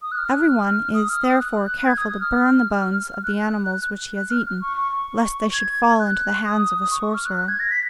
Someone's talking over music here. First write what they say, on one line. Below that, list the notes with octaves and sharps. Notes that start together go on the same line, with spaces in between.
Every one is therefore careful to burn the bones of the animals which he has eaten, lest they should fall into the hands of a sorcerer.
D#6
F#6
F6
F#6
F6
D#6
F6
D#6
F#6
G#6
D#6
D#6
F6
F#6
F#6
F6
F6
C#6
C#6
C#6
G#6
F#6
D#6
C#6
C#6
F6
F#6
F#6
G#6
A#6
B6